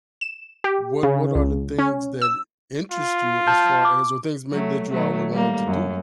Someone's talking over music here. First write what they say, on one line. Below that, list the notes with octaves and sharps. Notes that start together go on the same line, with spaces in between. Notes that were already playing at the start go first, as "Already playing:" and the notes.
what what are the things that'll interest you as far as or things maybe that you always wanted to do?
E7
G4
C#3
C#2
C#4
E6
F4
A5 F6 G6
D6
F#3 A3
D#3 F#3 A3
G3 A#3
F#2